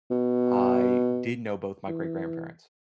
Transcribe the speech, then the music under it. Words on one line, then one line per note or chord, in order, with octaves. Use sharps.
I did know both my great-grandparents,
B2
E3